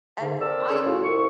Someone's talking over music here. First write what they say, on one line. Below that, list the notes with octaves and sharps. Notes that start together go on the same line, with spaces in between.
And I
G#2 D3
D#3 C4 A4 A#4 D5 E6
C#4 G#4
A2 C#4 F4 F#4
C2 C#6